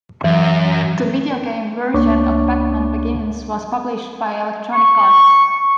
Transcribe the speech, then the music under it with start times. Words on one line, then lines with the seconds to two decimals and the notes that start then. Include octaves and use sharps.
The video game version of "Batman Begins" was published by Electronic Arts.
0.24 F#2 E3
1.94 C#2 A#3 D4 C#5 C#6 D6
4.73 C#6